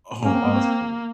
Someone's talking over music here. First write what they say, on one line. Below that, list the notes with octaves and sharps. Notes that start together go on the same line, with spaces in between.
Oh, awesome.
A#3 C#4
C4
B3
C4